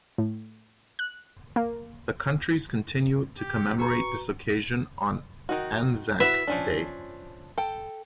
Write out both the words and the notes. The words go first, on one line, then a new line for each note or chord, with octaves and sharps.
The countries continue to commemorate this occasion on Anzac Day.
A2
F#6
A#3
G4
F#4 B4 A#5 C#6
D#3 D#4 F#4
E4 F#4 B4 E5
F3 C#4 D4
A4 G5